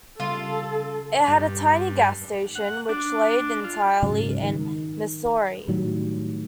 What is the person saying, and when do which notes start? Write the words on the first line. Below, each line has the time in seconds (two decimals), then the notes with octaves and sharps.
It had a tiny gas station, which laid entirely in Missouri.
0.20 C#3 G3 F4 A4
1.28 G2
2.55 F#5
2.89 D4
3.64 F4
4.02 G#2 C#3 F#3 G#3
4.43 D#3
5.68 A2 D#3 F#3 G3